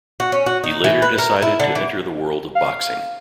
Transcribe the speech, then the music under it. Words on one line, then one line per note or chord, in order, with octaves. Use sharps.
He later decided to enter the world of boxing.
F#4
C#4
F#4
D#4
E3
B4
A#4
E4
D3
E3
F5